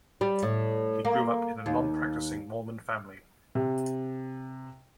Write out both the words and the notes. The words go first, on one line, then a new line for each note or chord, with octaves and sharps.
He grew up in a nonpracticing Mormon family.
G3
A2
A#3
D#2
C3